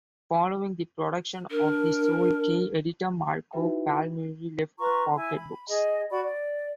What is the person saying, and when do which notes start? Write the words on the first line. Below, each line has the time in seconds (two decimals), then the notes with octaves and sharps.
Following the production of "The Soul Key", editor Marco Palmieri left Pocket Books.
1.51 D4 A#4
3.53 D#4 E4 F#4 B4 E5 G5
4.78 F4 B4 A#5 C#6
5.15 E4 G#5
5.36 B5
5.69 G#4 D#5
6.09 F#4 D5 B5
6.23 D5